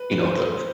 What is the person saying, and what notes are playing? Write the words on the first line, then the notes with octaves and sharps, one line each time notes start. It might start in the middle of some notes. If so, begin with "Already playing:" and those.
you know, the
Already playing: B4
C5